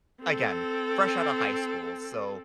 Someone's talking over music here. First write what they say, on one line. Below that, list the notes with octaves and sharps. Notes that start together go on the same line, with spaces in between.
again, fresh out of high school. So,
C4 A4